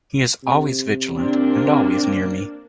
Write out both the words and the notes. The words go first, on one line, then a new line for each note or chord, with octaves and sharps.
He is always vigilant and always near me.
C3
A#3 C4 D4